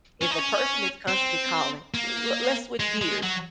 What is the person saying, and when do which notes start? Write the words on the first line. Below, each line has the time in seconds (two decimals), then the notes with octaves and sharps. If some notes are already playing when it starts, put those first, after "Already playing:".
if a person is constantly calling le let's switch gears,
0.22 C#4
0.31 D#4
0.39 C#4
1.09 C4
1.94 A#3
2.80 G#3
3.02 G#3
3.23 F#3